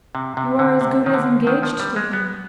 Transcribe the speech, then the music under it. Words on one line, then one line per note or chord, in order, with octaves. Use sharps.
You are as good as engaged to him.
C3
C3
D3
C3
D#3
D3
D#3
F3
G3
G#3
B3